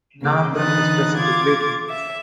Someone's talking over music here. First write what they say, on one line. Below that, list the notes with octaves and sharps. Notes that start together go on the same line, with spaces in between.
None of them is present to greet him.
C#3 A#3 D6
D3 E3 D#4 D#6 F#6 A6
F4 D6 G#6 A6
E5